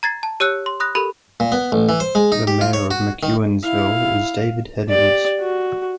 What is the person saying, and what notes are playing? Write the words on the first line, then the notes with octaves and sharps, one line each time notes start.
The mayor of McEwensville is David Heddings.
A#5 G#6 A6 C7
A5
G4 C#5 E6 F#6 C#7
C6
B5 D#6 F#6 A#6
G4 A4 A#4 B5
A#2
B3
A1
E3
C5
G#3
D#4
G4
F4
C#5
F#4
D#3
E4 F5
G4 D5
F#4